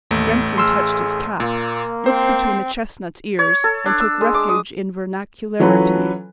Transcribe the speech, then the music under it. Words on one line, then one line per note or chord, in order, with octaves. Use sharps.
Remsen touched his cap, looked between the chestnut's ears, and took refuge in vernacularity.
A1 D#2 A3
G#4 C6 E6 F6
A#2 A#3
C4 C5
C#5
A4
D4
E6
G#3
D6
D#6
E3 F#3 C#4 F4 A4 B4